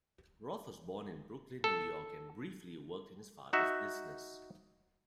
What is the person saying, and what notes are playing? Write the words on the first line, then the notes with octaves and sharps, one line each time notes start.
Roth was born in Brooklyn, New York and briefly worked in his father's business.
A4
D#4 F#4 E5